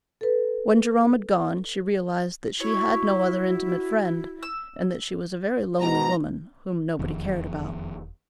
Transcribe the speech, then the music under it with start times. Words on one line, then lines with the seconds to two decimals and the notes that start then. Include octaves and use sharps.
When Jerome had gone she realized that she had no other intimate friend and that she was a very lonely woman whom nobody cared about.
0.21 A4 B4
2.60 E4 F#4 C#5
4.43 E6
5.80 G#2 B2 A#5
6.99 E1 F2 D#3